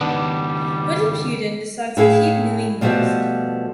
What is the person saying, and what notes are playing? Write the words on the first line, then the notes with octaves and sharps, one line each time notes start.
What if Putin decides to keep moving west?
C#2 D#3 G3 B3 D4
A2 E4 G#4 F5
B2 F3 G3 A3 B3